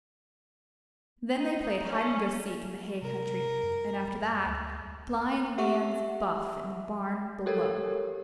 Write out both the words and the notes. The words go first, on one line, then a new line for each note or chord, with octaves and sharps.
Then they played hide-and-go-seek in the hay country, and after that Blind Man's Buff in the barn below.
D#4
C#4
C3 A#4
F#2
D2
G4 E5 F#5 C#6
G4 A4 A#4 C#5